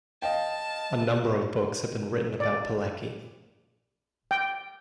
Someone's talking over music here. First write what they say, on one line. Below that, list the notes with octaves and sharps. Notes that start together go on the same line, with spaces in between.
A number of books have been written about Pilecki.
D#5 F5 G5 A5
D5
G5